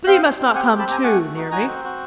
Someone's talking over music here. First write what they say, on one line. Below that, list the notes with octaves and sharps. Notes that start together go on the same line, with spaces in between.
But he must not come too near me!'
C4 F5 G5
C4
C4
G4 F#5 G#5
C4
A5 B5
G4 G#5 A#5
A3 F#5 G#5
F#4
D#4
F#4 G#5 A#5
C4
F#4